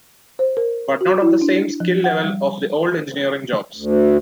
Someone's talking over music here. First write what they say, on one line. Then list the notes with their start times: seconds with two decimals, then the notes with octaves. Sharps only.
But not of the same skill level of the old engineering jobs lost.
0.39 C5
0.57 A#4
1.01 F#4
1.22 E4
1.41 D4
1.80 F3
2.04 F#5
2.23 G3
3.76 D2